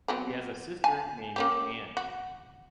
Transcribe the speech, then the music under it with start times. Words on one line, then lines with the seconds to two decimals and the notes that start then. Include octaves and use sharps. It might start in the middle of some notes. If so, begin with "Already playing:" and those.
He has a sister named Anne.
0.08 F#3 B3 C4
0.84 G#5 A5
1.36 A#3 C#4 G4
1.97 F#4